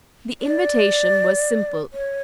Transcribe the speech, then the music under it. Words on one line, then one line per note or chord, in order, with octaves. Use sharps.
The invitation was simple.
D5
C#5